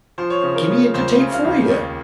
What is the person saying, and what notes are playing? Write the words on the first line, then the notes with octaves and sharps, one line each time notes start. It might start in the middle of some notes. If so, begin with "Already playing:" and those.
'Gimme it to take for you.
F3 C5
C#5
C#3 C5
A#4
C#3
C#2 C5
C#3
F5
C#2
D#2